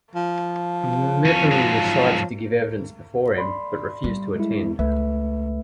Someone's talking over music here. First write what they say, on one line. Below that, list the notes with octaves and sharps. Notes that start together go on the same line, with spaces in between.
Mepeham was cited to give evidence before him, but refused to attend.
F3
F2 C#4
G#2 F#3
D5 B5 C6
G3
G#3 E4
C#2 A3 B4 E5